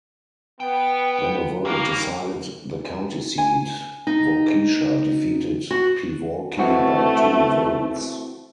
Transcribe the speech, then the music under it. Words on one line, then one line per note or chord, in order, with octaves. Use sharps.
When a vote decided the county seat, Waukesha defeated Pewaukee by two votes.
B3 G5
G3 A#3 C#4
G#5
D#4
F#4
E3 A3 C4 F#4